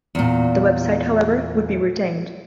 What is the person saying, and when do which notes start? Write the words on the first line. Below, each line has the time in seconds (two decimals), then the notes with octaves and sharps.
The website, however, would be retained.
0.15 E2 A#2